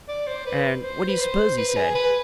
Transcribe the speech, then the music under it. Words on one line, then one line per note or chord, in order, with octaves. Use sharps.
And what do you suppose he said?
D5
C5
B4
C5
B4
C5
B4
G#4
B4